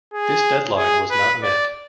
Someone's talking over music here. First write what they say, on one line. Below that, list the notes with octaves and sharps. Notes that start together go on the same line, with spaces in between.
This deadline was not met.
G#4
G#4
B4
D5